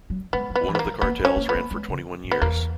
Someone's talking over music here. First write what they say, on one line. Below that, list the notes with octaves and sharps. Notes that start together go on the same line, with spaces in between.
One of the cartels ran for twenty-one years.
F#3
G#3 B3
F#3
B3
F#3
E3
B3
A#3
F#3
A#3 B3
B3
C#4
A#3
B3
A#3
G#3
C#3
G#2
B3
E2 A#3